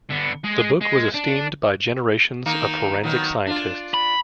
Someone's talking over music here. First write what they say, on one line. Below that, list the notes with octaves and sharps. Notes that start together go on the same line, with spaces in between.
The book was esteemed by generations of forensic scientists.
D3 B3
G#3 G#4
G#3
D4
D#3 A#3 D#4
D#3 F#3 B3
D4 F4
B5